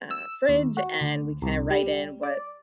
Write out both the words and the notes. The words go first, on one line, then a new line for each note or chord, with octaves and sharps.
uh, fridge, and we kinda write in what
E6
D#2
F#4
D2
C2
G3
D5